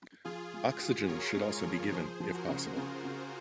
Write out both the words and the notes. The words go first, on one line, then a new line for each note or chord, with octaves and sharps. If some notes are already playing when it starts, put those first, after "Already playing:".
Oxygen should also be given if possible.
F3 F4 G#4
G#3
F#4
F#4 A#4 C#5
G#3
F3
F3 G#4 C5
F3
F#4 A#4
C#3
C#3 F4 G#4
C#3